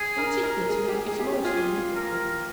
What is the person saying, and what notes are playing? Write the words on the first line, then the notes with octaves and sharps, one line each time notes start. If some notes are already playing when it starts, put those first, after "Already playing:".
Antiquity is mostly mythical.
Already playing: G#4
A#4
A#4
G#4
G4
G#4
G#4
G4
G4
F4 G#4
A#4